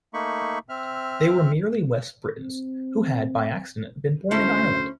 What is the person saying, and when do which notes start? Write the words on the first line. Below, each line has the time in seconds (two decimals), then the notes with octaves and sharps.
They were merely West Britons, who had by accident been born in Ireland.
0.14 A3 A#3 D#4 B5 C#6
0.69 C4 E5 F6
2.38 C4
4.31 D2 C#4 E4 A4 C5